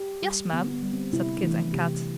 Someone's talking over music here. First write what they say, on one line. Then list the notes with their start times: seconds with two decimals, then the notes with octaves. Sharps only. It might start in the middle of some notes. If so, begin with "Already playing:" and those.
"Yes, Ma'am," said Kit and Kat.
Already playing: G4
0.23 G3
0.53 D3 B3
0.73 B3
0.83 G3
0.93 C4
1.13 C3 E4
1.38 D4
1.43 E3 A3 E4
1.73 C3 G4